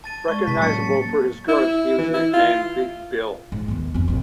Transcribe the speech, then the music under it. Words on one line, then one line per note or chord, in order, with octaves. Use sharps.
Recognisable for his girth, he was nicknamed "Big Bill".
A5 A6 D#7
G#3 D5 C#6
A2 C3 A5 B6
F#3 A#3 C#4 A6 C#7
E4
E3
E4
F4
G#2
D#2 B3
F2 C4
A#1 C4